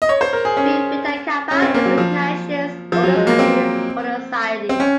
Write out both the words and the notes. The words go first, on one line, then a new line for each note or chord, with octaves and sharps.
Phi Beta Kappa is the nation's oldest academic honor society.
D#5
C#5
C5
A#4
G#4
C#4
C#4
C4
A#3
F#3
F3
F3
F#3
G#3
A#3
C4
C4
C#4